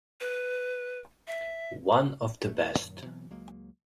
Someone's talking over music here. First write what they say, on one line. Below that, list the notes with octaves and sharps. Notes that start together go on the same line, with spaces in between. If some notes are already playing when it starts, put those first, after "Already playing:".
One of the best.
B4
E5
D#1 A3
F#2 A#2 D#3 F#3
B2 E3 F#3 C4
C#2 F#3 G#3 A#3